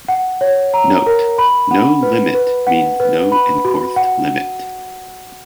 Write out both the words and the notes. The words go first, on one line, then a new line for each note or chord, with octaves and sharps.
Note: No limit means no enforced limit.
F#5
C#5
A#5
A#4
B5
F#5
B4
B4
F#5
B4
B5
F#4
F#5